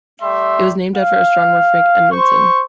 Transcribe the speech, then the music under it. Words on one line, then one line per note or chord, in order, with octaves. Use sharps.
It was named after astronomer Frank Edmondson.
G3 A3 E5 C6
F5
C5 C#6